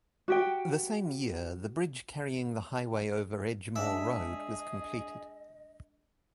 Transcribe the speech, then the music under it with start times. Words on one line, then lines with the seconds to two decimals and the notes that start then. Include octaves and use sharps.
The same year, the bridge carrying the highway over Edgemoor Road was completed.
0.28 F#4 G4 G5
3.76 G#3 D4 G#4 D#5 E5